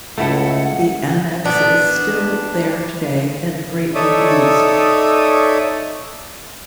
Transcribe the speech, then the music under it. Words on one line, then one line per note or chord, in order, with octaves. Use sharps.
The annexe is still there today and greatly used.
C#2 A3 E4 A4 F#5
B3 D4
D#4 A4 C#5 D5 E5 D#6